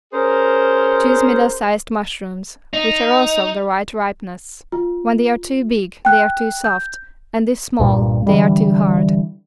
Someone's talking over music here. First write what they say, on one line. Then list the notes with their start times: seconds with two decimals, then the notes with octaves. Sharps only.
Choose middle-sized mushrooms, which are also of the right ripeness: when they are too big they are too soft and if small they are too hard.
0.13 C#4 G#4 A#4 C5
2.73 D#4
4.72 F4
6.05 G5 F#6
6.64 G6
7.79 C2 G2 A#2
8.26 D3 E3 G3